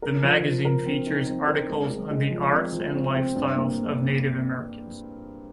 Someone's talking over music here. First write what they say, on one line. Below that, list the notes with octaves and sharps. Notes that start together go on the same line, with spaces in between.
The magazine features articles on the arts and lifestyles of Native Americans.
A#4
F3
F3
A#4
C4
D#4
C4
A#4
G#3
G#3
G#3
F3
C4
F3
C4
C4
G2
A#3